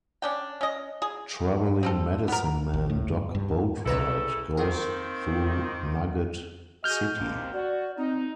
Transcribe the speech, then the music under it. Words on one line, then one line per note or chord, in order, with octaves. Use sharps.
Traveling medicine man Doc Boatwright goes through Nugget City.
C#4 D4 G5
C#4 D#5
G#4
C4 F4 A4
B3 A#4
A1
A2
G2
G2
B1 C#3 E4 A4 B4 A#5
D#3 A#3 C4 A#4
F#4 G#4 D#5 F6 G6
D#2 C3
F#4 D5
C4 D#4